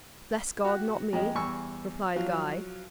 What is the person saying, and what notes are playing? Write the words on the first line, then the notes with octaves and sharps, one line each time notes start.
"Bless God, not me," replied Guy.
F#4 G4 F#6
F2 G#3 G4 D#5 G5
E2 G3 G#5 C#6 E6
F3 F#3 F5